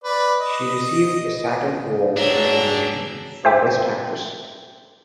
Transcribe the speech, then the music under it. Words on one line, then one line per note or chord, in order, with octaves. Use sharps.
She received a Saturn Award nomination for Best Actress.
B4 D5
D#5
D4 F#4 G#4 C#5 E5 A#5
C5 E5 G5 D6